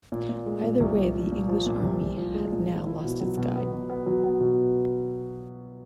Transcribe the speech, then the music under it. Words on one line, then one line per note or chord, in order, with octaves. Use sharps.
Either way, the English army had now lost its guide.
A#2
A#2
G#3
A#2
C2
A#2
F3
A#2
F3
A#2
C2
C2
F3
G#3
A#2
F3
E4
B2
F#3
B2
B3
B2
B3
F#3
B3
B2